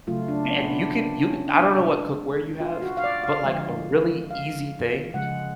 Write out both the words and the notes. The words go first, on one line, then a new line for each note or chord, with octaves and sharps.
and you can you can, I don't know what cookware you have, but, like, a really easy thing
C#3 F#3 A3 F4
D4
B3
C#4
D4
D4
C#4
D4
B2 G#3
F4
F#4
F5
D5
F5
D3 F3 G#3
F5
C#3 F3 G#3 F#5